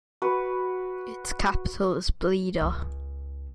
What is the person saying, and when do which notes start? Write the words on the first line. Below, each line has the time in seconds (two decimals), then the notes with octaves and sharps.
Its capital is Blida.
0.22 F#4 B4
2.61 C#2